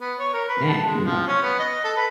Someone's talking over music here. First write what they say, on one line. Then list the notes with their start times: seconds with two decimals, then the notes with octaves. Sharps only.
na you know."
0.01 B3
0.19 C#5
0.33 A#4
0.48 B4
0.68 A5
0.85 G#3
1.05 F3
1.27 C#4
1.42 B3
1.59 D#5
1.84 A4
1.97 B4